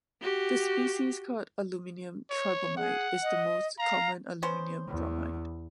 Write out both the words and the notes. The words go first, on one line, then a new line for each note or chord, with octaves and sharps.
The species called "aluminium tribromide," is the most common aluminium bromide.
F#4 G4
C#5
G#4 F#5
D#5
F5 A#5
B3 C#4 C5
E2